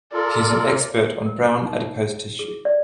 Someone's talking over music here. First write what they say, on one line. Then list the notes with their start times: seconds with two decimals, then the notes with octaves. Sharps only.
He is an expert on brown adipose tissue.
0.13 F4 A4 A#4 D5
1.26 A#4
1.65 D#4
2.39 G#4
2.65 D5